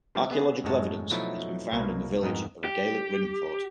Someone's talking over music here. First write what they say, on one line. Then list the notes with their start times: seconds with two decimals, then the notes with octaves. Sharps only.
Archaeological evidence has been found in the village of a Gaelic ringfort.
0.15 F3 G3 A#3 B3 D4
0.31 B3 G#4
0.64 F#2 A2 G#3 C#5 A5
1.11 B2 F3 F#3 A3 D#4 E4
1.72 C2 B2 A#3
2.22 F2 G#2 B3 A#4 D#5
2.64 G4